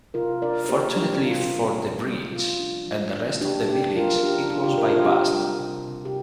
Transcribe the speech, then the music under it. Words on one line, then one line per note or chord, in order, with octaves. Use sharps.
Fortunately for the bridge, and the rest of the village, it was bypassed.
C3 F4 A#4
D4 A#4 D5
A#4
A#3 G4 C5
G3 D4 G4
C3 F4
D4
A#3
G3
F3 F4
D4
F3
D4
F3 D4 G4
D4 G4
F3 F4 A#4
A#4
D4 G4
C3 F4
D4 G4
C3 F4 A#4
F4 A#4
C4 D4 G4
G3
C3
C3
G4